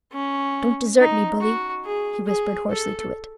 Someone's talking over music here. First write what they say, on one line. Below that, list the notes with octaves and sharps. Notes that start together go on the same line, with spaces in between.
"Don't desert me, bully," he whispered hoarsely to it.
C#4
D#4
F#4
G#4
G#4
A4